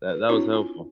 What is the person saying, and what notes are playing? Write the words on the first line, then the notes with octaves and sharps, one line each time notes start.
That that was helpful.
B4
C4 D4 E4 F#4 C#5 C#6
F4 G#5